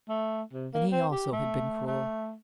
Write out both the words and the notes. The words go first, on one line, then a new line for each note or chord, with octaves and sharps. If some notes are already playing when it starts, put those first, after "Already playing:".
And he also had been cruel.
A3
C3
A#3
C4
G4
A3
A3